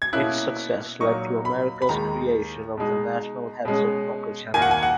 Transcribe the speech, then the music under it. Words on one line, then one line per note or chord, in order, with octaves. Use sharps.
Its success led to America's creation of the National Heads-Up Poker Championship.
G#6
B2 A#3 C#4 E4 F#6
A#2 F#3 A#3 D#4 C#6
B5
B5
D#2 D#3 G#3 A#5
B2 G#3 D#4
B2 G#3 C#4
D#2 D#3 A#3 G#5
F#5
G#5
F#5